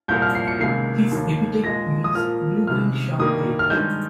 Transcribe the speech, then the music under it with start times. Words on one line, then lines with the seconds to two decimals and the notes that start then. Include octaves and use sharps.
His epithet means "blue-green sharp edge".
0.08 C2 A#2 F3 A#3 G6
0.22 F6
0.35 C7
0.48 C#7
0.60 C#2 C3 D#3 A#3 C7
1.11 D#2 D#3 A#3
1.64 A#2 G#3 A#6
2.04 D#6
2.15 A#2 F3 A#3 F6
2.67 C#2 C3 D#3 F6
3.18 G2 D#3 G3 A#3 D#6
3.59 F6
3.70 G2 D#3 G#3 G6